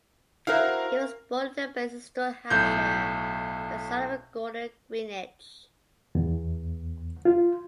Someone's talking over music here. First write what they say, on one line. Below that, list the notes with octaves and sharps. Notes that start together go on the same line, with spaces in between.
He was born in Basingstoke, Hampshire, the son of Gordon Greenidge.
E4 F#4 A#4 C5 F5
B1 A2 G6
E2
F4